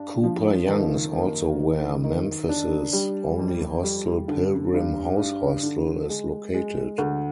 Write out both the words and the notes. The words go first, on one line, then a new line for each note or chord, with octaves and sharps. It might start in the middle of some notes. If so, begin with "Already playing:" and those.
Cooper Young is also where Memphis' only hostel, Pilgrim House Hostel, is located.
Already playing: G2 D4
F3
D#3
A#3
D#3
D#3
D4
G3
F2
G3
D3
G2
G2
D3
G#3
G#3
D2